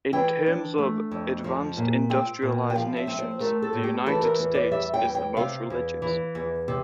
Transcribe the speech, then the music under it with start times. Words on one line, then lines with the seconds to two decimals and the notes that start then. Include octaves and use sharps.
In terms of advanced industrialized nations, the United States is the most religious.
0.13 E3 G5
0.46 D4
0.78 A3
1.11 F2
1.44 F3
1.77 A#2
2.10 C4 G5
2.42 A#2
2.70 G5
2.75 F3 F5
2.97 E5
3.07 C4
3.19 C5
3.40 A3 A#4
3.62 A4
3.73 A2
3.83 G4
4.06 E3 A4
4.22 A#4
4.39 E2
4.55 D5
4.71 G3 E5
4.94 G5
5.05 E2
5.15 G5
5.37 C3 F5
5.70 E2
6.02 E3
6.35 E2
6.68 C3